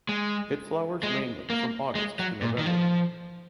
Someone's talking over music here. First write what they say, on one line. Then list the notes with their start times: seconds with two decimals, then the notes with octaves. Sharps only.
It flowers mainly from August to November.
0.09 G#3
1.03 G#3
1.50 A#3
1.95 G#3
2.19 F#3
2.42 A#2
2.58 D#3
2.66 F3